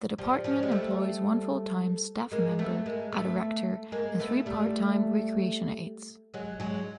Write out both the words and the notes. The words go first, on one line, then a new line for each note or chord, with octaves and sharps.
The department employs one full-time staff member, a director and three part-time recreation aides.
F3 G3
F3 G3
G#3
G3 A3
G#3 A#3
A3 B3
G#3 A#3
A3 B3
G#3 A#3
A3 B3
G3 A3
F#3 G#3
F#3 G#3